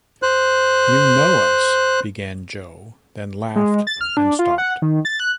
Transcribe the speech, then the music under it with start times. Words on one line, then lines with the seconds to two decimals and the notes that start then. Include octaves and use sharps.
"You know us," began Jo, then laughed, and stopped.
0.23 C5 F#6
3.56 G#3
3.87 A6
4.01 F6
4.17 D4
4.39 F4
4.58 F#5
4.82 D#3
5.05 A6
5.20 F#6